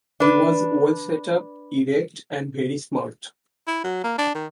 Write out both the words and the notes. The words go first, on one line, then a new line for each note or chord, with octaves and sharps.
He was well set-up, erect, and very smart.
D4 B4
E4
F#3
A#3
D4
D#3